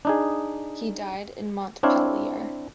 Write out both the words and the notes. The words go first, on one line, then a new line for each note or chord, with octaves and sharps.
He died in Montpellier.
D4 D#4 G#4
C4 D4 E4 C#5 F5